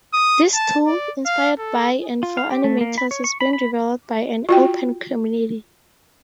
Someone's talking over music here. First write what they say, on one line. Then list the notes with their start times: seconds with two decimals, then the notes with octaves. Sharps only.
This tool, inspired by and for animators, is being developed by an open community.
0.14 D#6
0.54 A5
0.87 D5
1.26 F5
1.59 A4
2.23 F4
2.37 F5
2.50 G4
2.64 A3
2.81 A#3
2.98 B5
3.11 C#5
3.24 C#6
3.41 B5
3.53 B5
4.49 F4 F#4 G5